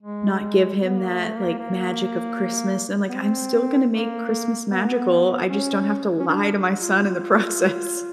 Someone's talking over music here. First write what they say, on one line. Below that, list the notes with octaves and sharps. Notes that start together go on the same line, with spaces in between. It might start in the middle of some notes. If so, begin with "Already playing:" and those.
not give him that, like, magic of Christmas," and, I'm like, "I'm still gonna make Christmas magical, I just don't have to lie to my son in the process."
G#3
B3
A#3
A3
A#3
A#3
B3
C4
A#3
B3
A#3
B3
C#4
C#4
D4
F4
F4